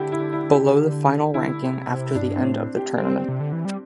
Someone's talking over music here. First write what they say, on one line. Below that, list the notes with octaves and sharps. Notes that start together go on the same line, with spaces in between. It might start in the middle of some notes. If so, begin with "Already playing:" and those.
Below the final ranking after the end of the tournament.
Already playing: D3 E4 G4
E4
E4
G4
D3 E4
C3
C3
G2 D4
C4
A2
G4
C4
C3
D3
E3
G3